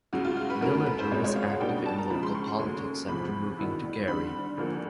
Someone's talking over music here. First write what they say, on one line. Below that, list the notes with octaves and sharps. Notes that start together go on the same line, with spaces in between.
Millender was active in local politics after moving to Gary.
C#2 C#3 F#3 F#4
F4
F#4
B4
F#2 C#3 F#3 A3 C#4 A#4
A#4
B4
C5
C#2 B2 G#3 C4 C#5
C#5
F5
F#5
B2 G3 A#3 D4 G5
A5
A#5
C#2 C#3 F3 G#3 B5
C6
C#6
C6
D#2 C#3 F#3 A3 C#4
E2 C3 F3 B5
G2 D#3 F#3 B3 E4
G2 D3 G3 C4 B5
D2 D3 F3 A#3